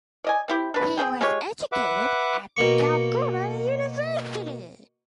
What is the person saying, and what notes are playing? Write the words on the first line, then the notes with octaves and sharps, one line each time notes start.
He was educated at the Calcutta University.
D5 D#5 G#5
C4 E4 G4
D4 B4
C4 D4 G#4 G5
G#3 F4 G4 C#5
B4 E5 F#5 D6
B2 A#3 C#6